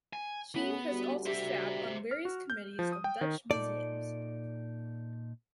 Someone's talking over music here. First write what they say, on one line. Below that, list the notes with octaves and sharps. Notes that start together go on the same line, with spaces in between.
She has also sat on various committees of Dutch museums.
G#5
B2 A3 B3 C#4
D2 G3 F#4
C5 E5
F6
F#4
G6
F3
D#6
G5
D#3
A#2 D#4 A4 D5